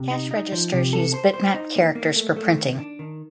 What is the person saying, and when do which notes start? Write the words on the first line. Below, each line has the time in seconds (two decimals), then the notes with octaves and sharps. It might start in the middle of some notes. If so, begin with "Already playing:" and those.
Cash registers use bitmap characters for printing.
Already playing: C3
0.11 D#4
0.31 D#4
0.52 F3
0.73 C3
0.93 A4
1.14 C5
1.34 C5
1.54 D#4
1.76 A#3
1.95 A#3
2.16 A3
2.37 A3
2.58 D#3
2.79 D4
2.99 D#3